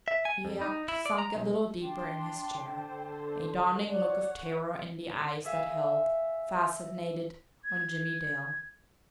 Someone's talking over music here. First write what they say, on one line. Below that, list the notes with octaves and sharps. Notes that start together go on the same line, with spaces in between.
He had sunk a little deeper in his chair--a dawning look of terror in the eyes that held, fascinated, on Jimmie Dale.
E5
G#5
F2
D#4
E4
D5
A#5
B1
D4 G5 A5 C6
D3 C5 A5
C#5 D5 F#5
G#4 E5 F5 G#5
G#6